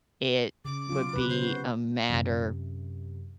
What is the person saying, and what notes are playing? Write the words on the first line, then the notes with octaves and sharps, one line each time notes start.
it would be a matter
C#3 D6
F#3 F4
C3 B4
C#3 C5
B3 F#4
F#2 C3